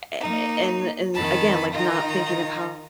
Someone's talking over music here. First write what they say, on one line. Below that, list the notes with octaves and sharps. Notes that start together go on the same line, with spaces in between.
a a and and again, like, not thinking of how
A#3 D#4
F2 D#3 A5 B5
D#3 D#4 F4 A#5